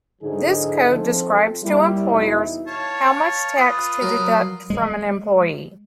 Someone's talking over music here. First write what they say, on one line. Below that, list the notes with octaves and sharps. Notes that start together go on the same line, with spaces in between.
This code describes to employers how much tax to deduct from an employee.
G#2 D3 F#3 D#4 E4 G#4
F3 C4 A4
G3 A#3 E4
E2 B2 D#4 E4
C#5 F5 A5
F4 B4 D#6
F#3 A#4
G#3